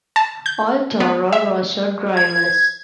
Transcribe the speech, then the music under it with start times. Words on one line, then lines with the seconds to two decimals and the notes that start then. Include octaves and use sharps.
All Toro Rosso drivers.
0.16 A5
0.46 G6
1.00 B3
1.33 E5
2.17 G#6